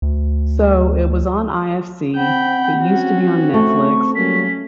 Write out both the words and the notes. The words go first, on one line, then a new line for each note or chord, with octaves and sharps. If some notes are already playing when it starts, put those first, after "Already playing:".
So, it was on IFC; It used to be on Netflix.
D2
C4 F#5 G5 B5
C#4 F#4
A3 C#6
F#3 G3 A#3 C#4 B6